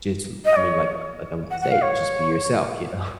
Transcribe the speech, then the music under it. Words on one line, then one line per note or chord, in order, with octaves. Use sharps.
just, u I mean, like, uh, like I'm gonna say, just be yourself, you know?
D#5
C#5
F#5
F#5
F5
C#5